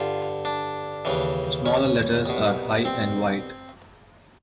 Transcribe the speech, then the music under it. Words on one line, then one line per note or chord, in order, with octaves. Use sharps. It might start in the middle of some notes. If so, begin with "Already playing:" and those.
The smaller letters are high and wide.
Already playing: G2 D3 F4
D4
D#2 C#3 E3
C#4
C2 B2
C4